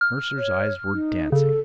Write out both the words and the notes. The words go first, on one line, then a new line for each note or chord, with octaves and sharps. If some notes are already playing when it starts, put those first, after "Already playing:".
Mercer's eyes were dancing.
F6
C#5
D#4
C#3 A4